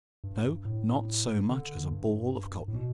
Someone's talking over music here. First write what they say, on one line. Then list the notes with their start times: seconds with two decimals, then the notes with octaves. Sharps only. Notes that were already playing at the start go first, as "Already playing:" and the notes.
No--not so much as a ball of cotton.
0.24 G2
0.65 A2
1.49 D3
1.91 G2
2.68 A2
2.75 B2